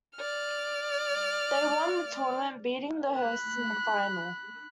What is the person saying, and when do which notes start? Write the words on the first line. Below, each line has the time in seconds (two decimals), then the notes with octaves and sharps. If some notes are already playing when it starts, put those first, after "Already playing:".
They won the tournament, beating the hosts in the final.
0.16 D5 F6
3.18 B5 F#6